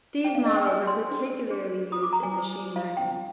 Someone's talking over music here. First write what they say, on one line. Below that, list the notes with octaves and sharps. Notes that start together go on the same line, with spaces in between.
These models are particularly used in machine learning.
D4 G#4 C5 G5
F5
D#5
G5
D4 G#4 C5 G#5
C6
D4 G#4 C5
D4 G#4 C5
F4 C5 D#6
D6
A#5
G#5
F4 C5
F4 C5 F5
G5